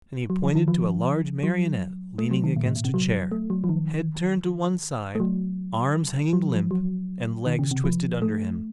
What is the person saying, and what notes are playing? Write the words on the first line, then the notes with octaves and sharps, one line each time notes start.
And he pointed to a large Marionette leaning against a chair, head turned to one side, arms hanging limp, and legs twisted under him.
F#3
F3
D#3
F3
F#3
A3
F#3
D#3
A#2
A2
A#2
C3
F#3
A3
F#3
F3
D#3
A3
F#3
F#3
F3
F#3
D#3
C#3
C3
F3
A3